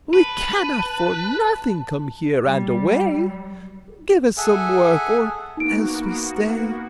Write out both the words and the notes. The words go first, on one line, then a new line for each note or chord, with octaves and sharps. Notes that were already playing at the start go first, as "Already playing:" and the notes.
"We cannot for nothing come here, and away. Give us some work, or else we stay."
B4 A5
G3
G#4 A4 E5 F#5 G#5
A#3 B3 D#4 F#4 D7